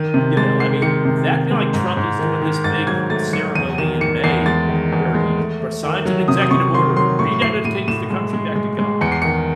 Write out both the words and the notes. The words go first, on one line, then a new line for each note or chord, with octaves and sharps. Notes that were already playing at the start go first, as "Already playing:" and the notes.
you know, I mean, that you know, like, Trump is doing this big ceremony in May, where he re-signs an executive order, and rededicates the country back to God.
Already playing: D#3 D#7
C3
G#3 A6
D#3 C7
D#3 C#7
C3
D#3
G#3
G#2
G#2
D#3
D#3
G#2 A6
F#3 G#6
A3 A6
F#3 C#7
E2 D#7
D#3 E7
D#3 C#7
E2 C7
G#3 A6
D#3
E2
G#3
A3
A3
D#3
F#3
C3 D#6
D#6
C3 C#6
D#3 C6
F#3 C6
A2 C#6
A2 C7
A2 D#7
A2 E7
G#3
G#3
G#3
G#3
E2 C#7
C7
D#3 C#7